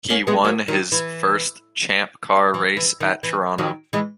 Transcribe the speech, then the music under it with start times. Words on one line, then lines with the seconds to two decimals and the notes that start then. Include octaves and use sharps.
He won his first Champ Car race at Toronto.
0.10 A#3 C#4
0.27 G#3 B3
0.44 F#3 A#3
0.68 D#3 F#3
0.92 E3
2.54 E3
2.77 E3
3.00 D#3
3.23 E3
3.58 D#3 F#3
3.93 E3 G#3